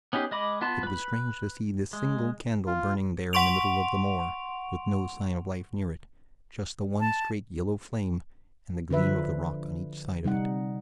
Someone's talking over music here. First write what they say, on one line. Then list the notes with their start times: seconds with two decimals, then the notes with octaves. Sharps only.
It was strange to see this single candle burning there in the middle of the moor, with no sign of life near it--just the one straight yellow flame and the gleam of the rock on each side of it.
0.13 B3 C#4 D#4 G4 G#4
0.31 G#3 D#5 B5 D6
0.61 B3 F4 A5
0.83 B4 B5
1.93 G#3
2.67 F4
3.33 F#5 C6 C#6 D7 F7
7.00 A5
8.90 D3 F3 B4 E5
10.24 C3 G3 D#4 F#5